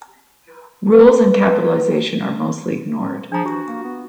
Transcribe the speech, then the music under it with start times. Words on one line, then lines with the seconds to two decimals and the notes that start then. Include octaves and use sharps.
Rules in capitalization are mostly ignored.
0.91 B4
3.32 F3 D4 G#4 A#5
3.46 E3 F#4 G4
3.66 A#3
3.83 B3